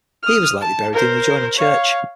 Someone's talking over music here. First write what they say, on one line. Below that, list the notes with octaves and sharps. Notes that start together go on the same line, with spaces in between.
He was likely buried in the adjoining church.
D#6 F6
A5
A#4 C5
C#5 F5